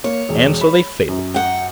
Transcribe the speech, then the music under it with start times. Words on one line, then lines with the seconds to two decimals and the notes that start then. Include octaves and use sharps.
And so they failed.
0.04 A#3 C#5
0.29 E1
0.61 B5
1.09 F#2
1.34 F#5 G5